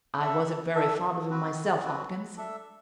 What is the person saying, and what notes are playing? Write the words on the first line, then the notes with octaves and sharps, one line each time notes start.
"I wasn't very fond of him myself, Hopkins."
D4 A4 E5
D4 A4 E5
C4 F#4 B4
C4 F#4 B4
D4 A4 E5